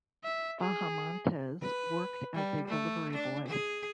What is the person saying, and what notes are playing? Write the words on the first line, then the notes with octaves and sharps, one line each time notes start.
Bahamontes worked as a delivery boy.
E5
G#4
B4
G3
A3
D4
G#4